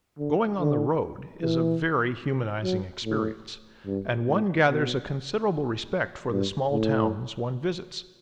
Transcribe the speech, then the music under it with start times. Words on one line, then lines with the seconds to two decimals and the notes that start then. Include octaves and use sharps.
Going on the road is a very humanizing experience and one gathers a considerable respect for the small towns one visits.
0.18 D3
0.59 D3
1.41 E3
2.64 F#3
3.05 A2
3.86 G2
4.27 A2
4.68 B2
6.31 G2
6.72 A2